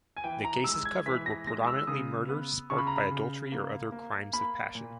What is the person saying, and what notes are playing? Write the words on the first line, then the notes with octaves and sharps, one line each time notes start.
The cases covered were predominantly murders sparked by adultery or other crimes of passion.
G#5
E3 G5
A#5
G#3 E6
G#6
E3 B6
A#6
G#3 A#6
E6
C#3 D#6
B3
C#3 C#6
B5
A#5
B5
C#3
A#3
A#3
A#3 B5
A#2